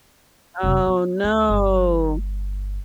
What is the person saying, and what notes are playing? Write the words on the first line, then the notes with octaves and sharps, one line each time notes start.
Oh, no.
F1 C3
B3
D2
G1